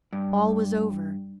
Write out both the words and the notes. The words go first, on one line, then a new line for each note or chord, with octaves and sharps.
All was over.
G2